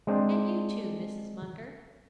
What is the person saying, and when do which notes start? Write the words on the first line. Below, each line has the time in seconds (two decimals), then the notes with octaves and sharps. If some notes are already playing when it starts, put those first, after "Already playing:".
And you too, Mrs. Munger.
0.07 G#3 C4 D4 C5 D5